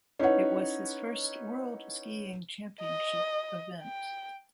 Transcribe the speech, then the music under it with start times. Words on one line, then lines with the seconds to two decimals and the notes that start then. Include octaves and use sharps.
It was his first World Skiing Championship event.
0.19 C#4 D#4 E4 B4 C#5 F#5
2.81 D#5
3.83 G5